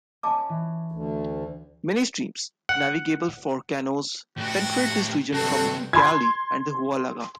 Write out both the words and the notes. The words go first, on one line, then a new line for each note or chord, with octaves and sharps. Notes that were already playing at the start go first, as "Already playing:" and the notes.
Many streams, navigable for canoes, penetrate this region from the Ucayali and the Huallaga.
C#4 B4 D#5 G#5 A5 D6
E3
D2
F#5
A2 F#4 G4
G2 C3 F#3 C4 F#4 A4
C6 G#6